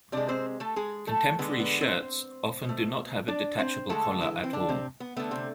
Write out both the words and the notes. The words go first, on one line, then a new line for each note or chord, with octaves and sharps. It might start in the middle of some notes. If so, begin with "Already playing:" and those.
Contemporary shirts often do not have a detachable collar at all.
C3 G#3 D4 D5
C4 C5
A3 A4
G#3 G#4
A3 A4
D3 G#3 B3 B4
B3 B4
C4 C5
B2 A3
D4 D5
C4 C5
D3 G#3 A3 A4
E3 E4
C4
D3 D4
C3 C4
B3
D3 A3 B3
C3 C4